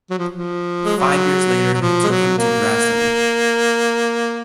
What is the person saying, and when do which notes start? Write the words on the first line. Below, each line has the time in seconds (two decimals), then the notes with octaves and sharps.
Five years later he took him to Dresden.
0.10 F#3
0.19 F3
0.35 F3
0.85 G#3
0.96 F#3
1.74 F#3
1.81 F3
2.04 G#3
2.09 F#3
2.38 A#3